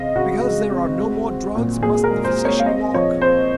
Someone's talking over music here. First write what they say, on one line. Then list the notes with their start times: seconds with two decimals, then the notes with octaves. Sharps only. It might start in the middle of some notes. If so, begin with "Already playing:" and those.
"Because there are no more drugs must the physician walk?"
Already playing: C#3 C4 D#5 F5
0.16 C#3 F#4
0.43 G#3
0.71 C4
0.99 G#3
1.27 C4
1.55 A#2
1.83 A#2 G#4
2.04 A#4
2.10 G#3
2.24 C5
2.39 C4
2.45 C#5
2.59 F5
2.66 C4 D#5
2.94 F3 C#5
3.21 C4 C5